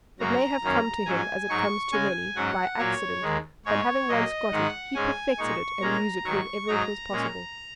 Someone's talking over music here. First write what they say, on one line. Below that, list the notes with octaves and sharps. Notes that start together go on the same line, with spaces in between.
It may have come to him, as it comes to many, by accident; but having once got it, he perfected it and used it whenever it was possible.
F#2 C#3 F#3 A#3 A#5
F#2 D#3 A#3 C#4
G#2 F#3 C#4 G#5
G#2 F#3 D#4 C#6
C#3 G#3 C#4 G#5
G#2 F#3 C#4 F#5
A#2 F#3 A#3 C#5
D#2 D#3 G#3
G#2 G#3 D#4 C#5
A#2 F#3 A#3 D#5
G#2 D#3 G#3 D#4 F#5
G#2 G#3 C#4 G#5
A#2 G#3 D#4 C#6
A#2 G#3 C#4 A#5
G#2 D#3 F#3 C#6
G#2 F#3 D#4 A#5
A#2 G#3 C#4